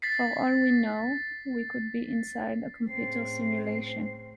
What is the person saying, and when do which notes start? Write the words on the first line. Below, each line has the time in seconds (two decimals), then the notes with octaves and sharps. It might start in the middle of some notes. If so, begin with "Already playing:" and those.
For all we know, we could be inside a computer simulation.
0.02 A6 B6 C7
2.88 A2 C#3 C4 C7